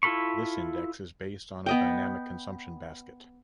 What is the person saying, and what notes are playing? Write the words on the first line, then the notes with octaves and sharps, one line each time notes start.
This index is based on a dynamic consumption basket.
E4 F4 A4 B5 C#6
B3 D#5 G5